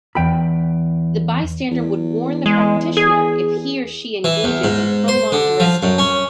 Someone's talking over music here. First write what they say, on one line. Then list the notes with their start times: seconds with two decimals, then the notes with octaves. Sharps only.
The bystander would warn the practitioner if he or she engages in prolonged resting.
0.15 E2 G5 B5
1.71 E2
2.46 G#3
2.97 G#4
4.24 E3
4.44 E2
4.64 G#2
5.08 C5
5.32 D3
5.60 F3
5.83 F#2
5.98 C#4